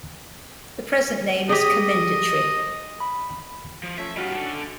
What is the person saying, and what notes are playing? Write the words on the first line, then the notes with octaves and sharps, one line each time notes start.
The present name is commendatory.
G4 G#4 D#5
B5
F3
A3 C#4 F4 E5
G3 C#4 D#4 F4 F#4
D4 A4